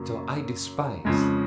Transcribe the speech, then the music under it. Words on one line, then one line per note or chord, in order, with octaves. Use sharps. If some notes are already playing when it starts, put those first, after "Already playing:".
So I despise.
Already playing: F#2 C#3 F#3 A#3
F2 C#3 G#3